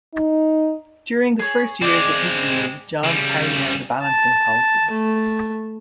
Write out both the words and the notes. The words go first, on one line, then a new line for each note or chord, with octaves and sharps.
During the first years of his rule John carried out a balancing policy.
D#4
G#4 C#5
G#3 C4 D5
C#3 G3
A5
A3